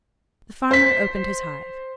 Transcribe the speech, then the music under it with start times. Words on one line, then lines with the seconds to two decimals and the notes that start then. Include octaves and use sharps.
The farmer opened his hive.
0.71 C5 B6